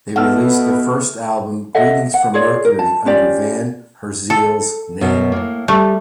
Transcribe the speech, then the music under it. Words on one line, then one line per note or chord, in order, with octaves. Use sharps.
They released their first album, "Greetings From Mercury", under Van Herzeele's name.
B2 A3 B3 F#5 E6 F6
A4 D#5 E5 F#5
F#5
F4 G#4 C#5 D5
A#4
A5
C#4 F4 G4 D5
A4
F#2 B2 B3
A2 A#3
G3 A3